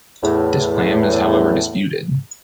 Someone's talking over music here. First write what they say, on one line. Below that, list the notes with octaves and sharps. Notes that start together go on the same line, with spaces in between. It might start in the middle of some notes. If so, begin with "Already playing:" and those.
This claim is however disputed.
E2 A2